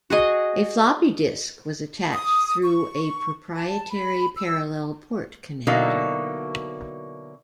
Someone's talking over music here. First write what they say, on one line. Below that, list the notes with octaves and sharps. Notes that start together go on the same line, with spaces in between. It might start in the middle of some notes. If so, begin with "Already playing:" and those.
A floppy disk was attached through a proprietary parallel port connector.
F#4 G#4 D#5
D#6
C#6
A5
B5
E6
B2 D3 F#3 A#3 D#4 E4